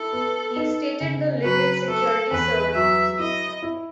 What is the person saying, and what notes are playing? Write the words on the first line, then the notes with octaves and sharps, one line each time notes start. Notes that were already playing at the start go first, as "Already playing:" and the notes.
He stated The Libyan security services blew up the plane.
Already playing: E4 A4
B3
D#4
C#3
F#3 B4
A3 A4
E2 B4
F#3 E5
E4 D#5
E4